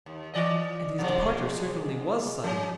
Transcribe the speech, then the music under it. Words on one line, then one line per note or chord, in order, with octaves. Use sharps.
And his departure certainly was sudden.
D#2
E3 D5 D#5
B2 F3 G#3
F3 C#4